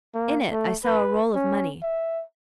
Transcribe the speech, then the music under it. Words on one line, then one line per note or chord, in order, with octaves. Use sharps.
In it I saw a roll of money.
A#3
A3
B4
C#4
E5